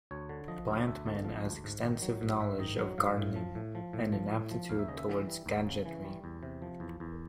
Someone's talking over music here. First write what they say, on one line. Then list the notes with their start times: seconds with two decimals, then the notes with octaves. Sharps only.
Plantman has extensive knowledge of gardening, and an aptitude towards gadgetry.
0.11 D2 C#5
0.29 D3
0.48 F3 D#5
0.68 D2
0.87 D2 E5
1.06 D3
1.25 F3
1.44 D2
1.64 G#2
1.82 D#3
2.02 F#3
2.21 G#2
2.40 G#2 E5
2.59 D#3 D#5
2.78 F#3
2.98 G#2 F5
3.17 A2
3.36 F3
3.55 A2
3.75 F3
3.93 A2
4.12 F3
4.31 A2
4.51 F3
4.69 D#2 F5
4.79 E5
4.88 C#3 D#5
4.98 E5
5.08 E3
5.27 G3
5.46 D#2
5.66 C#3
5.86 E3
6.04 G3
6.24 E2
6.43 C3
6.62 F3
6.80 E2
7.00 E2